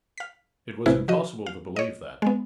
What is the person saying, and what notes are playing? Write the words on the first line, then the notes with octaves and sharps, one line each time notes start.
It was impossible to believe that.
F5 B6
A1 C3 E4 G#4 B4
F3 F#4 D#5
F5
C#5 D#5
G#3 B3